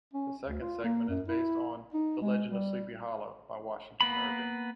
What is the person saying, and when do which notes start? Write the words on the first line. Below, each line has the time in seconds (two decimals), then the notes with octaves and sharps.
The second segment is based on "The Legend of Sleepy Hollow" by Washington Irving.
0.14 C#4
0.47 D2
0.61 F4
0.84 A#3
1.09 F#2
1.28 E4
1.94 D#4
2.22 G#3
2.51 G3
4.01 A#3 B3 B5